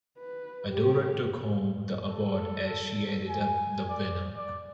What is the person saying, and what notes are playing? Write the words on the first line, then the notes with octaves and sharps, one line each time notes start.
Adora took home the award as she ended up the winner.
B4
G4
A4
G#5
D5
D5